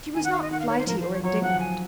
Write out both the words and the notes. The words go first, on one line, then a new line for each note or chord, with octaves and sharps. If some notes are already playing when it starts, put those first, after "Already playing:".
She was not flighty or indignant.
D#3 G#5
F#5
F5
D#5
D#3 F#5
F5
C#5
C5
F3 A#4
C5
C#5
F#3 C#5
F3 F#5
G#5